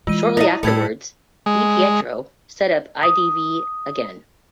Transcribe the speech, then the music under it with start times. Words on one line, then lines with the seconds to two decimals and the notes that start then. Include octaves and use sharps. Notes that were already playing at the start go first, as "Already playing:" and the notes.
Shortly afterwards, Di Pietro set up IdV again.
0.07 E3 G#3 F4 D#7
0.37 D#4 E4 D#5
0.63 A2 G3 A3 E6 G#6 C#7
1.46 G#3
3.03 D#6